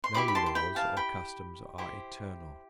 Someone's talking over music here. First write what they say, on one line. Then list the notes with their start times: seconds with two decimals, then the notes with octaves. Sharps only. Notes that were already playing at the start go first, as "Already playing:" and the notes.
No laws or customs are eternal.
0.04 C6
0.14 E4 G4 C5 B5 D6
0.28 B5
0.35 A5 C6
0.46 C6
0.55 G5 B5
0.76 F5 A5
0.97 G5 B5
1.78 E4 G4 C5